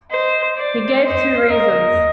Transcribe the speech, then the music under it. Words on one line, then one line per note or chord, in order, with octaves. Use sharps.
He gave two reasons.
C5 D#5
C5 D5
C5 D#5
F5
A#4 D#5